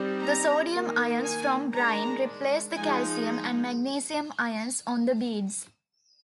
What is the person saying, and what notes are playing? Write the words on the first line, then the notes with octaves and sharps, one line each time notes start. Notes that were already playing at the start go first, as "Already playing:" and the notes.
The sodium ions from brine replace the calcium and magnesium ions on the beads.
Already playing: G3 C4 D#4
A#5
D#3 A#3 D#4
G#5
D#3 G#3 D4 A#5
F3 G#3 D#4 G#5